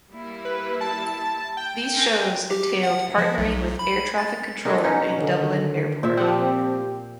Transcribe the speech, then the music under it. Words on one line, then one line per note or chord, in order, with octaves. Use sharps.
These shows entailed partnering with air traffic control in Dublin Airport.
G3 A#3 E4
B4
A5
G5
C4 A#4 G#5
G4
F#5
F3
B1
B5
A6
D#3 G#3 D4 A4
B2 C#4 D#4
D3 D#3
A#2 C5 E5
F3 C4 G4 F#5 G5